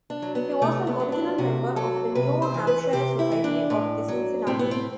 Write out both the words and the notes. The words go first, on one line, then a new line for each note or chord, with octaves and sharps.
He was an original member of the New Hampshire Society of the Cincinnati.
D4
F#3
B3
C3 A3
B3
F#3
D4
C3 F#4
F#3 A4
C3 B4
C5
E3
B4
C3 G4
E4
E3
D4
A2
F#3
A2 C4
B3
C4